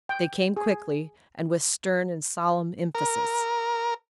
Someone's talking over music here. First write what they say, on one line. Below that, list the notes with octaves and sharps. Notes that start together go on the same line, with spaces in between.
They came quickly and with stern and solemn emphasis.
G5
G#4
A#4